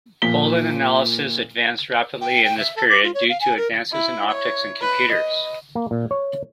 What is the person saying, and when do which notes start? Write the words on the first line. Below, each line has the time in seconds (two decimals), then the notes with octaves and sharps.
Pollen analysis advanced rapidly in this period due to advances in optics and computers.
0.22 A#2 F3 B6 G7
2.21 G5
2.44 G5
2.58 E5
2.76 A4
2.89 D6
3.03 F4
3.14 C#5
3.29 F5
3.41 G#5
3.57 A#4
3.93 E4
4.32 C#5
4.81 B4
5.13 D#5
5.75 A#3
5.91 A#2
6.11 C#5